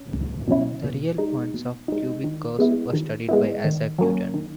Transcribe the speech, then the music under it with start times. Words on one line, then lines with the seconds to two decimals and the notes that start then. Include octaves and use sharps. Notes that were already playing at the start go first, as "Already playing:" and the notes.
The real points of cubic curves were studied by Isaac Newton.
Already playing: C#4
0.14 C#2
0.48 B2 F#3 C#4 E4
0.84 B2
1.18 G#3 D#4
1.54 B2
1.88 G#3 D#4
2.24 D#3
2.59 G#3 B3 E4
2.93 D#3
3.29 G#3 B3 E4
3.64 D#3
3.98 F#3 A#3 C#4
4.34 D#3